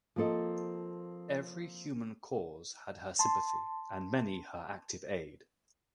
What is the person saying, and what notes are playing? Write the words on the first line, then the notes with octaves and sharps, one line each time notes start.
Every human cause had her sympathy and many her active aid.
F3 A#3 C4 A4 D#5
A5 C6